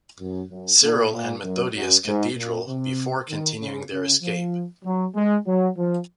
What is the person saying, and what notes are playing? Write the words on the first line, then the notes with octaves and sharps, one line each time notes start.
Cyril and Methodius Cathedral before continuing their escape.
F#2
F#2
A#2
A#2
F#2
F#2
G#2
A#2
C3
D#3
C#3
C#3
F3
F#3
G#3
F#3
F3